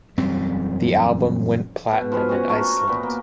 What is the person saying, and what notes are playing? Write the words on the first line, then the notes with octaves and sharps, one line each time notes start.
The album went platinum in Iceland.
E1 F#2 G3 C4
B2
F3 B3 F4 G#4
C#4 F#4 F#5 G#5
A3 F#4 A#4
A#2 B3
A#3